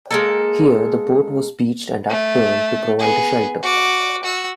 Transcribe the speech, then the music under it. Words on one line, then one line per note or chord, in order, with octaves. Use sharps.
Here the boat was beached and up-turned to provide a shelter.
G#3 A#3 A4
A3
B3 G#4
F#4 D6
F#4 E6